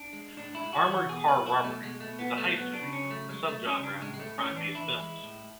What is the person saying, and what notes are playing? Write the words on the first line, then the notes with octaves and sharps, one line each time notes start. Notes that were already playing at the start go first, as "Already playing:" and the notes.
"Armored Car Robbery" is a heist movie, a subgenre of crime-based films.
Already playing: D4
G#3
A2 D4
E4
G#3
F#4
E3
F#4
B2 G#4
B4
F#3
E4
B2
A3
B2 G#3
A3
B2
B3
F#3
A3
F#3 B3
D4
C#3
C#4
F#3
A3
F#3 G#3
F#3 A3
C#4
C#3
D4
A2 G#3
G#3
A3
A2
C#4
E3
D4
E3 E4
G#3
A2